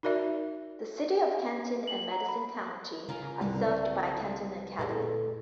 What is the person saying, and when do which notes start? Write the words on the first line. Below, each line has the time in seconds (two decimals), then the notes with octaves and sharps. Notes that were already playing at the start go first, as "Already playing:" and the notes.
The city of Canton and Madison County are served by Canton Academy.
0.03 D#4 F#4 A#4 D5 E5
1.87 F#7
2.11 A#5
2.29 B5
3.09 C#3 F4 G#4 A#4
3.41 C2 G2 D3 C4 B4
4.79 D2 A#2 E4 G#4 A4 B4